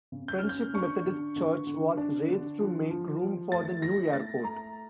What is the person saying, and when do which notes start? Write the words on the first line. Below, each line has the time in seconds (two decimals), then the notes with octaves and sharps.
Friendship Methodist Church was razed to make room for the new airport.
0.12 C#3
0.28 G6
0.39 C#4 F6
0.49 G6
0.74 D4 C#6
1.05 D3
1.36 D3
1.67 D3
1.97 D4
2.28 D3
2.60 F3
2.91 F3
3.21 F3
3.51 A3 A6
3.82 E4 A#6
4.13 A3 A6
4.44 A3 A#5